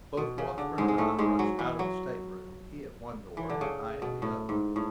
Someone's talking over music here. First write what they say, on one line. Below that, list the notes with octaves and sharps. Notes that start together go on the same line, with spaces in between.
Both Washburn and I rushed out of the state-room, he at one door, and I at the other.
B2
C#3
D3
G#2 G#3
G#3
A2 A3
G#2 G#3
F#3
E3
F#3
E3
D3
C#3
B2
A2
G#2
A2